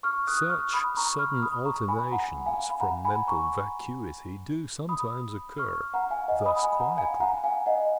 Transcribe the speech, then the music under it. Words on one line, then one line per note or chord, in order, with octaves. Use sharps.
Such sudden alternations from mental vacuity do sometimes occur thus quietly.
C#6 F6
D#6 F#6
C#6 F6
B5 D#6
A#5 C#6
C#6 F6
B5 D#6
A#5 C#6
G#5 B5
F#5 A#5
F5 G#5
B5
F#5 A#5
G#5 B5
A#5 C#6
B5 D#6
C#6 F6
F#5 A#5
F5 G#5
D#5 F#5
B5 D#6
G#5 B5
F#5 A#5
F5 G#5
F#5 A#5
F5 G#5
D#5 F#5